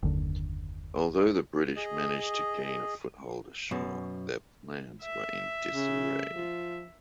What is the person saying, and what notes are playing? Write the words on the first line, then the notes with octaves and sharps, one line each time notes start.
Although the British managed to gain a foothold ashore, their plans were in disarray.
F#1 D#2 D3
G#4 D#5
F#2 B2
E5
C#3
F3